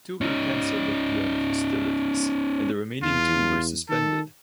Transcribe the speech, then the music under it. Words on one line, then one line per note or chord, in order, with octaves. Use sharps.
Two were cancelled at the end of hostilities, and the remaining two were suspended.
C#4 D#4
E2 F4
D#3 A4